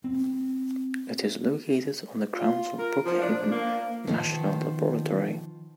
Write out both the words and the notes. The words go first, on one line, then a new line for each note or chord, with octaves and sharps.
It is located on the grounds of Brookhaven National Laboratory.
C4
F4
A#4
F3
D4
A#3
B2 D#3 F3